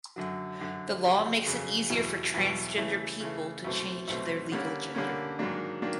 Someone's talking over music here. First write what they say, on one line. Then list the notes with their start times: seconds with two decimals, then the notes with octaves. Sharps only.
The law makes it easier for transgender people to change their legal gender.
0.16 F#2 D3 F#3
0.60 F#2 D3 F#3
1.04 F2 C#3 F#3
1.46 F2 C#3 F#3
1.90 E2 B2 F#3
2.34 E2 B2 F#3
2.78 C#3 E3 A3
3.20 C#3 E3 A3
3.65 C2 B2 F#3 A3 C4
4.08 C2 B2 F#3 A3 C4
4.52 D3 G3 A#3 C#4
4.95 D3 G3 A#3 C#4
5.39 G#2 D#3 F#3 A#3 D4
5.82 D#3 F#3 A#3 D4